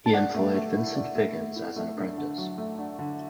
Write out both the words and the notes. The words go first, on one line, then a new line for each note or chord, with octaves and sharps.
He employed Vincent Figgins as an apprentice.
A5
D5 F#5
A3
A3
E4
D5
A3
A3
E4
A3
D4
D3
F#3
A3
D4
D3